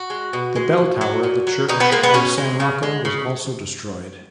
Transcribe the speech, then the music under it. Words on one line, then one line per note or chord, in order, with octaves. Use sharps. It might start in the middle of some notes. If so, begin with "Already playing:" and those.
The bell tower of the church of San Rocco was also destroyed.
Already playing: F#4
G#3
B2
G#3
A#2
F#3
A#2
F#3
B2 D#4
B3
G#3 A#3
B3
B2 C#4
G#3
C#3
G#3
C#3